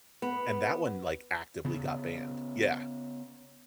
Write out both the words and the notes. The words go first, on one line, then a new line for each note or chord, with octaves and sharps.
and that one, like, actively got banned. Yeah.
B3
C#3 B3